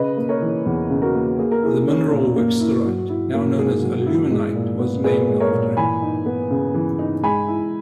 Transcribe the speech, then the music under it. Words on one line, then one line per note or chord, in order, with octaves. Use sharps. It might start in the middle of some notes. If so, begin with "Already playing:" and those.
The mineral "websterite" now known as aluminite was named after him.
Already playing: C#3 B4 D#5
A#3
A#4 C#5
E3
E2
C#3
F#4 A#4
A#3
A#3 G#4
A#4
E4 G#4
C#4
A#2
A#3
E4
F#3
E4
A#3
G#2 G#4
F#3
E4
G#3
A#2
B3
A#2 G#4 B4
G#3
A#4 C#5
A#2
E3 G#5 B5
D#4
B3
C#3
E3
D#4
G#3 G#5 B5
E4